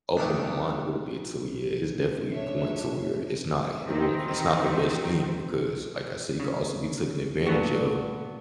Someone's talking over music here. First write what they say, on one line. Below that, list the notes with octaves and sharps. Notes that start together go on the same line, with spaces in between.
opening my mind a little bit, so, yeah, it's definitely a point to where it's not it won't it's not the best thing because, like I said, you could also be taken advantage of,
B1 D#3 A3 D4 C#5 C#6
D4 C#5 E5
D#3 E3 C4 D#4
C#3
G2 A#2 D3 A3 B3 F#4